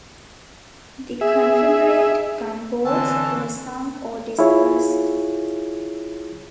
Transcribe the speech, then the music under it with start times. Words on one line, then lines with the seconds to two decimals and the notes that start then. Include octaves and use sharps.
The Confederate gunboats were sunk or dispersed.
1.21 G#4 E5
2.85 D3 E3 C4 C#4 A5 E6
4.39 E4 F4 G#4 C#5